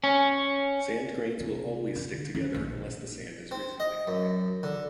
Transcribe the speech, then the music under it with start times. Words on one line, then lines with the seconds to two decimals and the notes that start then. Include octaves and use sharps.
Sand grains will always stick together unless the sand is reasonably fine.
0.04 C#4
1.40 C3
1.95 D3
2.35 C#4
2.54 A#1
3.51 C4
3.80 D#5
4.07 F#2
4.63 D3